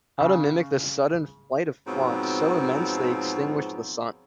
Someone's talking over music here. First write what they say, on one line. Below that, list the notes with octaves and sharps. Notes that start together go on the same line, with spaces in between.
How to mimic the sudden flight of flocks so immense they extinguished the sun?
C#3
G#2 B2 F3 F#3 C4